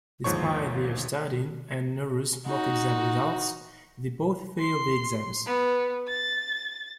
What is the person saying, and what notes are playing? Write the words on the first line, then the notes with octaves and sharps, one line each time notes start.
Despite their studying, and Naru's mock exam results, they both fail the exams.
G1 D#2 G#2 F3 C#5 C#6
D#4 F#4
C6
B3
A6